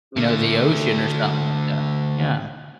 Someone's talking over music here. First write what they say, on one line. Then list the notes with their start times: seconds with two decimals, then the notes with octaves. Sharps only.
you know, the ocean or something like that, yeah.
0.17 D3 A3